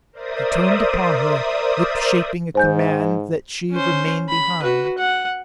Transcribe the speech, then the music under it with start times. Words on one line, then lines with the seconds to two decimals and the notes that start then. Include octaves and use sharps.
He turned upon her, lips shaping a command that she remain behind.
0.11 A#4 C5 D5 E5 D#6
2.55 G#2 C5 G#5 G6
3.71 C#4 C5
4.29 B5
4.63 F#4 B4
4.98 F#5